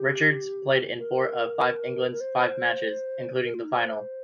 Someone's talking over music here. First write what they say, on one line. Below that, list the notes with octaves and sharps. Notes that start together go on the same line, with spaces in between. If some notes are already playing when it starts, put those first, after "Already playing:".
Richards played in four of England's five matches, including the final.
Already playing: G4
A#4
A#4
C5
A#4
F4
D#4
C5